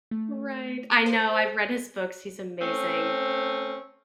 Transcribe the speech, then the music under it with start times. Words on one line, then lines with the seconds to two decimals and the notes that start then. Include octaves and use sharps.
Right. I know I've read his books. He's amazing.
0.11 A3
1.06 C5
2.62 A3 C4 C#4